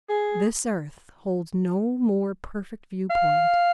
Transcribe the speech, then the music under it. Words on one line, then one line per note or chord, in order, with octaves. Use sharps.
This earth holds no more perfect view-point.
G#4
F5